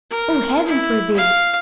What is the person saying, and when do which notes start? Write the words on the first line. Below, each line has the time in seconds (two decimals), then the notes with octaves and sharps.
Oh, heaven forbid!
0.11 A#4
0.66 E4
1.16 F5